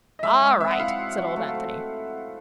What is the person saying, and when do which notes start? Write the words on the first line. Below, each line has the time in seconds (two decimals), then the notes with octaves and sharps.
"All right," said old Anthony.
0.19 D#5
0.23 G#3 E5
0.42 G#3
0.60 C4 E5
0.71 F#5
0.79 E4 F5
0.98 F#3
1.18 F#3
1.36 A3
1.55 C4